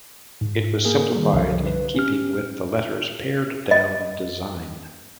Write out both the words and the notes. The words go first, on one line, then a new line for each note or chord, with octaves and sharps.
It was simplified in keeping with the letter's pared-down design.
G#2
A#3 G#4 A#4
D#3 G3
C2 D3 F3 F5
B4
C#4 G4 F6
D#5